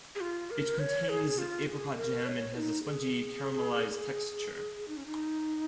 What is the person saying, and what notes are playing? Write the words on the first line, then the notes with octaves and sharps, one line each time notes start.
It contains apricot jam and has a spongy caramelized texture.
G#4
F4
A#4
C#5
G#4
F4
G#4
A#4
C#5
D#4
G#4
D#4
C#4
D#4